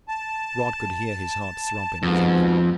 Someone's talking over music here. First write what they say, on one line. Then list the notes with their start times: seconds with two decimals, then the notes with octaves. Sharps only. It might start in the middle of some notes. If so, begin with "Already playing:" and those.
Rod could hear his heart throbbing within him.
0.08 A5
2.03 F2 G#2 B2